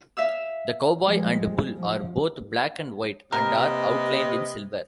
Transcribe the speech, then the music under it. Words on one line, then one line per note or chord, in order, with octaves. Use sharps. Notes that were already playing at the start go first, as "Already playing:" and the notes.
The cowboy and bull are both black and white and are outlined in silver.
E5 F5 E6
F3 G3 G#3
F3
C3 A#3 A#4 B4 D#5